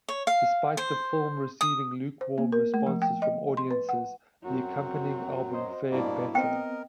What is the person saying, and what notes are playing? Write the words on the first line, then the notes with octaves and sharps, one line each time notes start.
Despite the film receiving lukewarm responses from audiences, the accompanying album fared better.
C#5
F5
C5
D#6
C5
A#3
A#4
A3
F3
G5
D#5
C6
B4
F#5
F#2 F#3 C4 F#4
C5 D#5 C6
G2 B2 A#3 E4 D5
B3 C4 A#4 D#5 G5